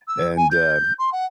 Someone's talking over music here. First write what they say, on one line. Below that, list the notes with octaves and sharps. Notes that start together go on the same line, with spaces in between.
and, um
E6
G#5
G6
C6
F#5